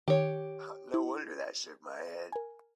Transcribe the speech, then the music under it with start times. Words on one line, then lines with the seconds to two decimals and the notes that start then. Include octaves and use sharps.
No wonder that I shook my head!
0.08 D#3 G4 C#5
0.94 E4
2.32 A#4 G#5